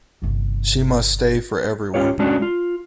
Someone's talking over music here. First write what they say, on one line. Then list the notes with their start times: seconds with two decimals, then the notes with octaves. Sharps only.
She must stay for everyone.
0.22 G1 C3
1.94 C#4 D4 F4 G4 C#5
2.19 G#3 C#4 D4 F#4
2.42 F4